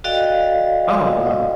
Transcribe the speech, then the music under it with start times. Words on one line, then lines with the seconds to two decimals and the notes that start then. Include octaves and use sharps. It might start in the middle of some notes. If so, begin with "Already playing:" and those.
Oh, wow.
0.04 F#4 A4 D5 D#5 F5 G5